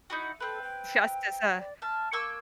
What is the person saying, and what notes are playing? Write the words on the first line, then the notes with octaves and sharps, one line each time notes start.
just as a
D#4 E4 F#4
C4 A4 B4
G5
D5
E5 A5 F6
A#3 C#6 E6 G#6